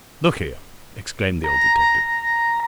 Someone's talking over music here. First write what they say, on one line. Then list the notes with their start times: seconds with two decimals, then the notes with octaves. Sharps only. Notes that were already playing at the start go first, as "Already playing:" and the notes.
"Look here!" exclaimed the old detective.
1.44 A#5